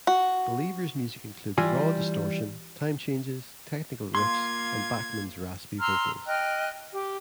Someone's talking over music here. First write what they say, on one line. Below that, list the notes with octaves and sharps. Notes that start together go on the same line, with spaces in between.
Believer's music includes raw distortion, time changes, technical riffs and Bachman's raspy vocals.
F#4
E3 G3 F4 G#5
A#3 F4 C6 G#6
A#5 C6 E6 F6
D#5 G5 F6 F#6
G4